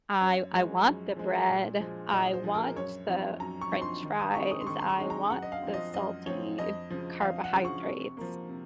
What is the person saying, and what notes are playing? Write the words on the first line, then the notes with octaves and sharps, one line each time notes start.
I I want the bread, I want the french fries, I want the salty carbohydrates.
F#2 C#5
F3 G#3
F#2
F3 G#3
A#2
F3 G#3
A#2 D#5
C5
F3 G#3
A#4
F#2 C#5
F3 C4 D#4
F#2 A#5
C#6
F3 C4 D#4
C6
D#3
D#6
G#3 C4 D#4 C#6
D#6
C6
D#3 C#6
C6
C#6
G#3 C4 D#4
A#5
F#2 F#5
D#5
F5
C4
F3
D#5
F#2 D#5
F3 C4 C#5
F2 D#5
C#3 F3
F2 F5
F#5
C#3 F3
C#6
C3
F3 A#3
C3